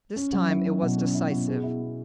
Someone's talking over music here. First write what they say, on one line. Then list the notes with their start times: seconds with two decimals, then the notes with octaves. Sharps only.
This time, it was decisive.
0.16 C#4
0.32 F#3
0.49 E4
0.65 C#4
0.82 B2
0.98 C#4
1.14 E4
1.31 B2
1.47 G#4
1.63 E4
1.80 B3